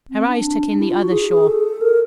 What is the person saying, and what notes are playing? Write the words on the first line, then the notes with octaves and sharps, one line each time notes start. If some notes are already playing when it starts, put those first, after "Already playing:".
Her eyes took in the other shore.
C4
D4
E4
F4
F#4
G#4
G#4
A4
A#4